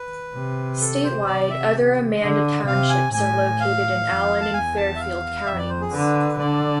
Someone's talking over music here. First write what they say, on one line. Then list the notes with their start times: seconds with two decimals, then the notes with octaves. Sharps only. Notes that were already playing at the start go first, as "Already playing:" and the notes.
Statewide, other Amanda Townships are located in Allen and Fairfield counties.
Already playing: B4
0.34 C3
0.81 A4
1.03 C5
1.27 C3 D5
1.50 E5
2.20 D3
2.66 C3 F5
2.90 G#5
3.13 A2 G#5
3.60 F5
4.06 F2
4.41 A5
4.53 E2 G#5
4.77 A5
4.96 E5
5.00 F5
5.46 F2 E5
5.58 D5
5.69 C5
5.81 G#4
5.93 D3 B4
6.39 D3 D5